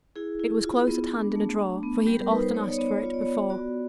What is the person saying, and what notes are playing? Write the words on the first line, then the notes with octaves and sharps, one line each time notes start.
It was close at hand in a drawer, for he had often asked for it before.
E4 G#4
E4
F4
B3
D4
A3
D4
B3
G3 G4
A#4
D#4 B4
C5
B3 C#5
D5
C#5
B3 D5
C#5
D5
F4 C#5
D5
B3 C#5
F#4 D5